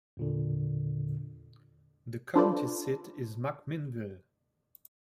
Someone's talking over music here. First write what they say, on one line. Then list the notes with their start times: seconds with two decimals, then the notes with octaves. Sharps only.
The county seat is McMinnville.
0.17 E2 A#2 D3
2.35 D4 F4 A4 B4 C5 D5